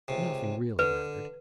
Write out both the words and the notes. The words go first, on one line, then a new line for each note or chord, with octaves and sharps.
Nothing really mattered.
C#2 C3
D3 B4